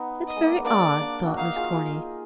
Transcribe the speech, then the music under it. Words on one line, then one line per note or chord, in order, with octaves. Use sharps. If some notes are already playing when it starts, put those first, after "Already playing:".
"It's very odd," thought Miss Corny.
Already playing: B3 D#4
D#5
G#3
A#3
B3
A#3 D4 D5
A#3 D4
D#4 F#4
D#4 F#4 F5
F4 G#4
F4 G#4